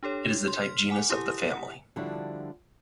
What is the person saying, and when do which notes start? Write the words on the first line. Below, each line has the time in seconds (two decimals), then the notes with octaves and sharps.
It is the type genus of the family.
0.03 D4 G4 A4 C#5
0.48 C6
0.62 F6 B6
0.90 F#5 G#5 D6
1.10 E4 G4 D#6
1.52 F#5
1.96 D3 F3 G3 D4 E4 F#4